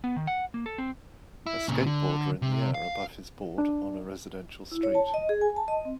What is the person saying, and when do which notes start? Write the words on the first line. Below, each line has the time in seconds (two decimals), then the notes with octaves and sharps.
A skateboarder in the air above his board on a residential street.
0.04 B3
0.16 D#3
0.27 F#5
0.54 A#3
0.66 A4
0.78 C4
1.46 E4
1.68 A#2 C#3
1.86 D3
2.42 C3
2.74 F5
3.58 D4
4.71 E4
4.83 C#5
4.95 A5
5.14 D#5
5.29 G#4
5.41 G#5
5.56 A5
5.68 D#5
5.85 C4